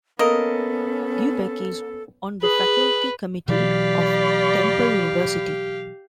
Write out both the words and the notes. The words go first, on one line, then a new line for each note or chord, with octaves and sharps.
Dubeck is on the Faculty Committee of Temple University.
A#3 B3 C#4 A4 A#4 D#5
G#4 B4 F#7
B2 E3 F#3 G4 D5 F5 B5